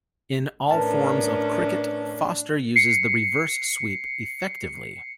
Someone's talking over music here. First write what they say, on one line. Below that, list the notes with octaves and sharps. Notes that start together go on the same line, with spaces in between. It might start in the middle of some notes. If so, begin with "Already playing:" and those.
In all forms of cricket, Foster uses the reverse sweep effectively.
A2 C#4 D4 A#4 B4 A5
C7 C#7